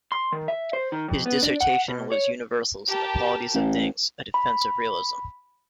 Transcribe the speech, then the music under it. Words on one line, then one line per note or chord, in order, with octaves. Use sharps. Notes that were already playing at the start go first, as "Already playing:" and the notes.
His dissertation was Universals and the Qualities of Things: A defense of Realism.
C6
D#3
E5
C5
D#3
F2
B3
D4
F#5
B2
C#5
G4 A#4 A5
A1
B5